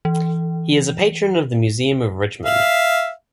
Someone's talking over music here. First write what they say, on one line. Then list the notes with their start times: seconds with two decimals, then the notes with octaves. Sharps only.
He is a patron of the Museum of Richmond.
0.05 E3
2.45 E5 F5